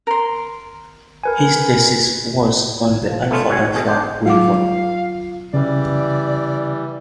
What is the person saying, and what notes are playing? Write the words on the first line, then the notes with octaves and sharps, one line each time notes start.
His thesis was on the alfalfa weevil.
A#4 C6
A#4 B4 G#5
F3
A3 B3 C#4 F4
G#2 F#4 G#5
B2 A3 G#4
D4 C5 G5
F#3 F4 F5 F#5 D6
C#3 E3 G3 D5